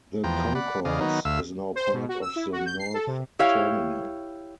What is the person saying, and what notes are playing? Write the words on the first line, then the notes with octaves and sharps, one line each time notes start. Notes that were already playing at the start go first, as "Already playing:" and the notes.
The concourse is now part of the North Terminal.
E2 F3 G5 A#5
D5 F#5 B5
E2 C#3 D5 D#5 F5
D#3 F#3 B3 D#4
D2 E5 F5 E6
C5
B2
F#4
E6
E4
F#4
G6
C7
A4
C3
E4 G4 C#5 F5